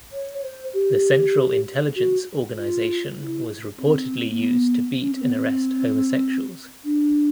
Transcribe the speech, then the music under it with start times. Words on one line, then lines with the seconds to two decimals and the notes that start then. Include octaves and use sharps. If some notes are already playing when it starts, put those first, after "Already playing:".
The Central Intelligence Organisation was reportedly used to beat and arrest homosexuals.
0.12 C#5
0.42 C5
0.73 G4
1.95 F#4
2.56 F4
3.18 E4
3.79 C4
4.30 A#3
4.40 B3
5.00 C#4
5.11 C4
5.21 B3
5.32 C4
6.84 D4